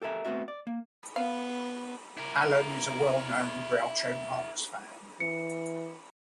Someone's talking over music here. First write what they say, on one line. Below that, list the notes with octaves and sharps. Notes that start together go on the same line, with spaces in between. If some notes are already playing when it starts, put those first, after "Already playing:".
Allen is a well-known Groucho Marx fan.
G4 A4 A#4 E5 G#5
A3 B3 C4 F#4 E5
D5
A#3
B3 F5
E4 A#4
E3 C#7